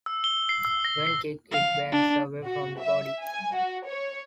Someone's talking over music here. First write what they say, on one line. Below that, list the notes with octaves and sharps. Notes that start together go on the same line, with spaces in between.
When kicked, it bends away from the body.
E6
G7
C7
E6
A#6
C7
F5
D4
F#4
E5
G#5
F#4
C#5